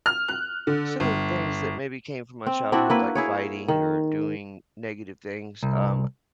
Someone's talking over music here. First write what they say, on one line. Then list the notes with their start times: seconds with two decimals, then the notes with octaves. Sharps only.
some of the things that maybe came from my childhood, like fighting or doing negative things, um,
0.06 F6
0.28 F#6
0.67 D3
1.00 G1
2.46 C4
2.72 C4 D4 E4 F#4
2.90 A#3 E4 B4
3.15 E4 G#4 C#5
3.68 D#3
5.63 C2